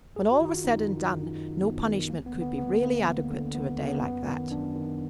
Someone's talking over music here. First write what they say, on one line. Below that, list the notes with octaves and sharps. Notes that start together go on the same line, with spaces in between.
When all was said and done no punishment could be really adequate to a day like that.
F#2 G#4
F#4
D#3
F4
F#2 D#4
D#3
F#2
D#3
F#2 B3
D#3
D2 A#3
B3
D3
B3
D2 B3
D3 A#3
D2
D3
D2 B3
D3
B3
A#3
F#2 B3
D#3
F#2 D4
D#3